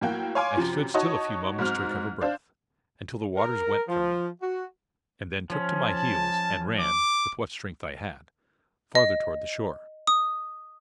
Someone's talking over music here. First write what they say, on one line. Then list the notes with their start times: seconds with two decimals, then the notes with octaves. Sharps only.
I stood still a few moments to recover breath, and till the waters went from me, and then took to my heels and ran with what strength I had farther toward the shore.
0.01 A2 F#3 A#3 F#4 G5
0.35 C#5 F5 G#5 C6 D6
0.57 F#2 C3 F3
0.94 D#4 F#4 C#5 D#5 A5 C#6
1.59 G#2 F#3 C4 F6 F7
2.21 D4 C5 D5 F5
3.37 A#4
3.88 F3
4.42 F#4
5.50 F3 C#4
5.89 A5
6.80 D6
8.95 D#5
10.07 D#6